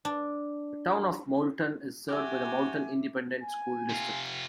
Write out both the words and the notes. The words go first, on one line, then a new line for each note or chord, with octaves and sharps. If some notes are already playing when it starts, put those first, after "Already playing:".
The Town of Moulton is served by the Moulton Independent School District.
D4
F#4 G4 E5 G#5 D6
G#5
C3 F4